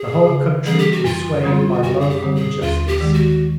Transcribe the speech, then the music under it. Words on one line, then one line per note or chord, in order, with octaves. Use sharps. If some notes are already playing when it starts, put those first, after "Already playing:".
The whole Country was sway'd by Love and Justice.
Already playing: G#4
C#3
E3 G3 C4 G#4
G4
F#4
F#2 F4
D3 G3 C4
F#2 F#4
G#4
G4
D3 G3 C4
G#4
D#2 F4
G4
D#3 G#3
F#4